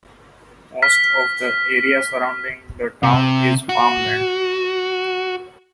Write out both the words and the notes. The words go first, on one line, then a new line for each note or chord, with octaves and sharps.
Most of the area surrounding the town is farmland.
F6 B6
C3
F#4